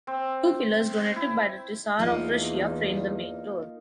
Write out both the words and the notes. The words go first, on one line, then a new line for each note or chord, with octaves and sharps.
Two pillars donated by the Tsar of Russia frame the main door.
C4
E4
E2 A#3 D#4 F4